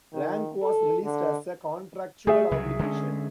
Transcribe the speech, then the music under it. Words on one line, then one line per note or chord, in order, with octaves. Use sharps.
"Rank" was released as a contractual obligation.
D#3
A4
D3
A3 G#4 E5
C2 C#3 F#3
D3 G#3 C#4